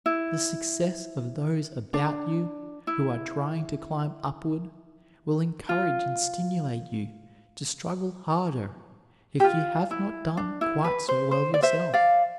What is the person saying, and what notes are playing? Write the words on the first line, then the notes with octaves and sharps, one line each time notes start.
The success of those about you who are trying to climb upward will encourage and stimulate you to struggle harder if you have not done quite so well yourself.
E4
D4
E4
F4
G4
F4
E4
D4
E4
B4
C5
C5
D5
C5 E5
D5 F5